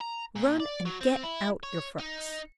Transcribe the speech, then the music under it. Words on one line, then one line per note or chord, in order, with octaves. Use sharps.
Run and get out your frocks.'
A#5
A#2
D5
F#3
C4
E4
C#5
D#4